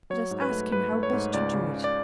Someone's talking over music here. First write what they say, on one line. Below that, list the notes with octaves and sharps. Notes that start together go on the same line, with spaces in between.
Let us ask him how best to do it.'
F#3 C#5
G#2
B4
A3
G#2 B4
A3
C#5
G#2
C#2 D5
C#3
C#3
D5